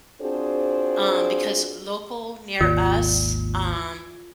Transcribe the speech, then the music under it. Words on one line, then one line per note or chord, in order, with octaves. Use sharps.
um, because local near us, um,
C4 D4 F4 F#4 G#4 C5
G#1 D#2 F4